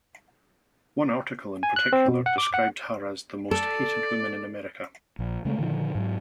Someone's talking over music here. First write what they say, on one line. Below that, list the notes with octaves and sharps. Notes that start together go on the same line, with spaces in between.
One article, in particular, described her as "the most hated woman in America".
G#5
F#6
C4
B2
F#5
D6
F#5
A4 D5
A#1
C#3 G#3 A3
A#2 D3 D#3 F3
G#2 F#3